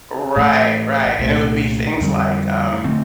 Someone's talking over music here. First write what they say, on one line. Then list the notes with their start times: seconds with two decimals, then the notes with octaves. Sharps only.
Right, right, and it would be things like, um,
0.36 A1 A2 A3
1.19 C2 A#2 A3
2.01 F2 D3 G3 C4
2.84 D3 A3 C4